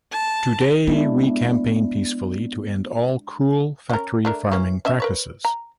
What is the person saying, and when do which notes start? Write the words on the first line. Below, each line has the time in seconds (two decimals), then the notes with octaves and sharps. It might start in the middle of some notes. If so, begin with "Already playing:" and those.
Today we campaign peacefully to end all cruel factory farming practices.
0.12 A5
0.87 G#3 B3 D4 E4
3.89 C#4 A#4
4.25 A3 D4 A#4
4.52 E3 A#3 C#4
4.85 C#4 D#5 E5
5.00 A#4 B4 C#5
5.45 A#5